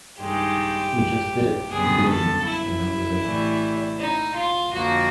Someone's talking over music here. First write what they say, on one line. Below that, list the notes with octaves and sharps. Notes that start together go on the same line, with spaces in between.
We just did it, boom, and that was it.
G2 D#3 G#3 G4
F#2 D3 G3 B3 G#4
A4
E4
A2 E3 G3
D#4
F4
F2 D3 F3 A#3 F#4